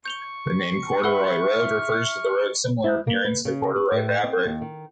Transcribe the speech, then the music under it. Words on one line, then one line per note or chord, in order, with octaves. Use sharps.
The name "corduroy road" refers to the road's similar appearance to corduroy fabric.
C#6 G6 F7 G7
B4 E5 F#5 B5 E6
F6
E4
A#3
B4
C#3
B4
A2
C4
D#2
D#3